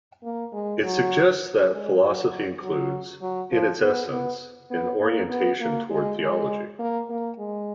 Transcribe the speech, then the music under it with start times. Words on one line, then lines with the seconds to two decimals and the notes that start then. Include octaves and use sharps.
It suggests that philosophy includes, in its essence, an orientation toward theology.
0.24 A#3
0.53 G#3
0.83 F#3
1.72 G#3
2.02 F#3
2.62 F#3
3.22 F#3
3.52 F3
3.81 B3
4.11 B3
4.71 B3
5.01 A#3
5.30 B3
5.60 A#3
5.90 G#3
6.19 G#3
6.79 A#3
7.09 A#3
7.38 G#3